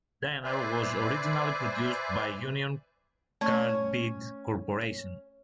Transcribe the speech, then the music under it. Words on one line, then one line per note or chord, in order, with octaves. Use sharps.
Dynel was originally produced by Union Carbide corporation.
B4 C5 D5 E5 G#5
A3 C#4 C#5 G#6